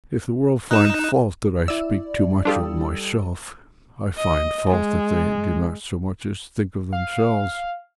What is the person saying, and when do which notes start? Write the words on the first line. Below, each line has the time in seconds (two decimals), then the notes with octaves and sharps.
If the world find fault that I speak too much of myself, I find fault that they do not so much as think of themselves.
0.71 D#4 F#6 E7
1.68 E4 D5 E6
2.45 G3 D4 F4 G4 A4 D#6
4.16 D#5
4.69 G#3
6.93 F5